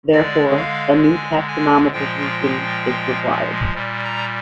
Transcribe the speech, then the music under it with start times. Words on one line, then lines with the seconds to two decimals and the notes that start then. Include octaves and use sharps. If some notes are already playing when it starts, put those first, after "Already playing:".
Therefore, a new taxonomical grouping is required.
0.12 D3 G#3 D5
0.57 F5
1.03 G#5
1.48 G#5
1.93 A#2 F3 G#3 G5
3.74 A#2 G3
4.04 A#5